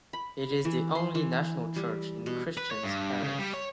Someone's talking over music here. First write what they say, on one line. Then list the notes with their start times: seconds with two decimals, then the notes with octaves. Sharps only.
It is the only national church in Christians Parish.
0.13 B5
0.65 E3
0.95 C6
1.15 E3
1.76 G3
2.26 B2
2.58 B4
2.71 C#5
2.84 G2
3.24 C#3
3.39 G3
3.54 C#5